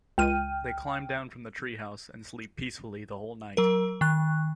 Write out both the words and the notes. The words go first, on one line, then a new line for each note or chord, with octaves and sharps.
They climb down from the treehouse and sleep peacefully the whole night.
C#2 G5 F6 D#7
F#3 A#4
D#3 F#6